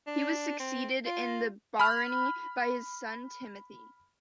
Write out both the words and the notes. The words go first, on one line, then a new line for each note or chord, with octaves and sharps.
He was succeeded in the barony by his son Timothy.
D4
C4
F4
B5 F6